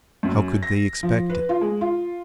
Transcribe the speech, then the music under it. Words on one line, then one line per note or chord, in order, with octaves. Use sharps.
How could they expect it?
F#2
A#6
F3
B4
F4
G#3
F4